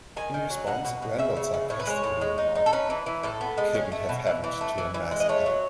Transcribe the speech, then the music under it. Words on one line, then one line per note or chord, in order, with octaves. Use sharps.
In response, Randall sarcastically remarked: Couldn't have happened to a nicer guy.
D#3 G#5
D#3
F#3
B2 F#5
B2
B2
C#3 E5
C#3
C#3
A2 C#5
B4
G#3 C#5
A2
G#3
D#4
D#4
A4
C#4 B4
E3
E3
A2 A4
B3
G#3
C#4
A3
B2
E3
E3
A3
E3
E3
G#3
D#5
A3 C#5
F#3